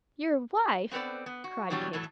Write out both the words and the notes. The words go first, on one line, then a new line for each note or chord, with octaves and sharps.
"Your wife!" cried Kate.
B3 C4 A4 B4 D5
B3
F#4
B2 E3 F#3 G3 D4
A2 E3 F#3 A4